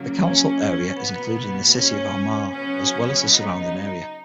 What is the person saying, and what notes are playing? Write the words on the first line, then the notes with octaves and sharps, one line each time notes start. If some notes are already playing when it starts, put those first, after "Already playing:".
The Council area included the city of Armagh, as well as the surrounding area.
Already playing: C#3 F#3 A#3
C#4
B2 A#3 B3
C#4
C#3 F#3 B3 C#4
D#4